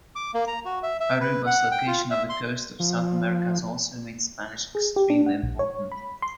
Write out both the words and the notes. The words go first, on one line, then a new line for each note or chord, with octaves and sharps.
Aruba's location off the coast of South America has also made Spanish extremely important.
D6
A#3
A#5
F#4
E5
E5
B4
F#5
G5
F4
E5
C6
F3
G#4
G4
D4
F#5
A#1
C#5
B5
C6